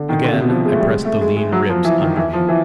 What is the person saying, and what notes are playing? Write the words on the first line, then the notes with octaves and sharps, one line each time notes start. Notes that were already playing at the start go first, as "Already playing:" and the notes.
Again I pressed the lean ribs under me.
Already playing: D3
D#3
D3
C3
B2
F3
G#3
A3
G3
G#3
A3
G#3
G#3
F#3
F3
E3
D#3
E3
F3
E3